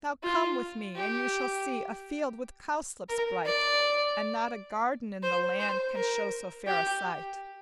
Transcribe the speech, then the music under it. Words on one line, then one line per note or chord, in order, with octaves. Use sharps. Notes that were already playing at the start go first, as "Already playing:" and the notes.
"Now come with me and you shall see A field with cowslips bright And not a garden in the land Can show so fair a sight."
F4
G4
A#4
D5
C5
C5
A#4
G4